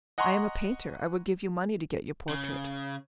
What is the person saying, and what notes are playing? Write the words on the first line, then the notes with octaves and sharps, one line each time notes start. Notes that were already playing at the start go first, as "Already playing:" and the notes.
"I am a painter: I would give you money to get your portrait."
D#5 F#5 G#5 A#5 C6 C#6
C#3